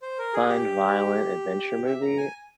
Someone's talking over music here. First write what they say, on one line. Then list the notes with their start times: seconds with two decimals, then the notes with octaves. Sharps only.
fun, violent adventure movie
0.02 C5
0.18 A#4
0.34 G#4
0.49 G4
1.86 E5
2.02 A#5
2.17 G#5